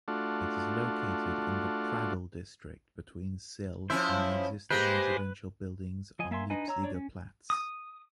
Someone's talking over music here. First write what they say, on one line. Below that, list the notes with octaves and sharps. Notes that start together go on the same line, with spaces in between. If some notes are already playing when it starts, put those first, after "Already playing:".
It is located in the Pradl district between Sill and the existing residential buildings on Leipziger Platz.
A3 D4 F4 F#4
F3 C#4 E4 C5 E5
G#3 A#3 G4 B4 C5
F3 D#5 G#5
A#3 E5 G#5 C6
D4 D#4 B4 D#5 G#5
C#5 A#5 E6
D4 C#5 D5
C#4
D#6